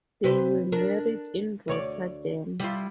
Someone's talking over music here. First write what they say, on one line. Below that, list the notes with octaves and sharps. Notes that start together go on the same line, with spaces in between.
They were married in Rotterdam.
C3 B4 C5
D4 A#4
D2 C#5 D5
G3 E4 F4